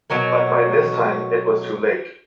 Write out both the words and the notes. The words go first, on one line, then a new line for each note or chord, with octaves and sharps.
But by this time, it was too late.
B2 F#3 C#4 A#4